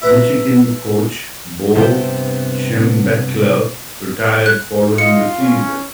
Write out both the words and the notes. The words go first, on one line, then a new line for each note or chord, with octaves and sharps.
Michigan coach Bo Schembechler retired following the season.
E4 B4 A#5
G2 C3 B3 C5 E5 G5
F#6
F4 D#5 C#7
C#4